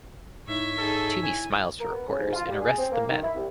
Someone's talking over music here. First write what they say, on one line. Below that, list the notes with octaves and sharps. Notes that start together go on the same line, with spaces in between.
Toomey smiles for reporters and arrests the men.
F#1
G#2 D#4 E4 C#5 E5
D#4 G#4 A4
E4 G#5
A#4
B3
C#3
G#2
F4
G3
G#4
C4
A#3
D#3
E4
C2